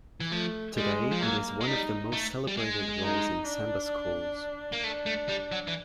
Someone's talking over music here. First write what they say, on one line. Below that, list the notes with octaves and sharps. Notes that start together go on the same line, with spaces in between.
Today it is one of the most celebrated roles in samba schools.
E3
F3 A3
G3 G#3
F3
F#3 A#3
G#3
G3 D#4
A3
G3
G#3
D#4
D4
A#3
A3 D4
A3
G3
F#3
E3